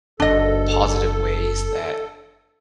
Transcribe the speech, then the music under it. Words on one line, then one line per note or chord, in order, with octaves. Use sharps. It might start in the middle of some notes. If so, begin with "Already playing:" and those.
positive ways that,
F#1 D4 D#4 A4 D#5